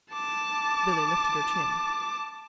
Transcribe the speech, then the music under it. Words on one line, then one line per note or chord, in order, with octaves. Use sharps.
Billy lifted her chin.
A5 D6